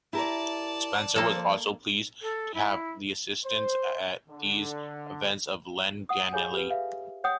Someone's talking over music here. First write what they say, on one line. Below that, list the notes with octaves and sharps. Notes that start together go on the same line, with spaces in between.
Spencer was also pleased to have the assistance at these events of Len Ganley.
E4 G4 A#4 D5 A5
F3 A#3 A4
A4
E4
C5
D3
F#5 D#6
F4 G#4 A4 C#5 F5 G#5
G4 B4
E5 F5
C#5 F#5 G5 D#6